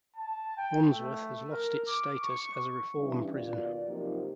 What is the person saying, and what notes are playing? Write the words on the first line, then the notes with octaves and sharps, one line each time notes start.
Wansworth has lost its status as a reform prison.
A5
G5
A3
A#4
D6
C#6
C#3 E3 G3 D4 G4
D#2 B2 F4 D5
C3 F3 F#3 A#3 D#4 G4